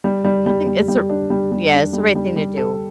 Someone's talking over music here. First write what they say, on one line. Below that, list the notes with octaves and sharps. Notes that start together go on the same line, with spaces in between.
I think it's a r m Yeah, it's the right thing to do.
G3
G3
G3
G3
G3
D4
G3
G3
D4
G3
G3
G3
A4